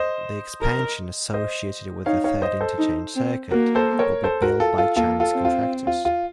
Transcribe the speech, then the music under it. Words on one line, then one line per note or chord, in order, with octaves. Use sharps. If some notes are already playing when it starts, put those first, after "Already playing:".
The expansion associated with the Third Interchange Circuit will be built by Chinese contractors.
Already playing: C5 D#5
A#4
C5 D#5
D#4 C#5 F5
C#5 F5
C5 D#5
A4 C5
D#4
C4
A#3 F#4 A#4
A4 C5
A#4 C#5
A4 C5
F#4 A#4
F4 A4
F4 A4
A#3 F4 A4
F4 A4
C4
F4
F4
F4